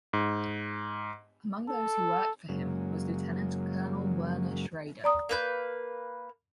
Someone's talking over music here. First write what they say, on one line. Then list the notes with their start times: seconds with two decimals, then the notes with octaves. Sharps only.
Among those who worked for him was Lieutenant Colonel Werner Schrader.
0.13 G#2
1.69 A4
2.49 F#2 C#3 F#3 G#3 A#3
5.04 D5 A#5 D#6
5.29 A#3 B4 G6